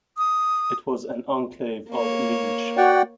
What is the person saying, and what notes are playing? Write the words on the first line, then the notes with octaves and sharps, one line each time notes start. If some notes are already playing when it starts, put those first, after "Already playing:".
It was an enclave of Liege.
D#6
A#3 C#5
F#4 D5 F#5 G5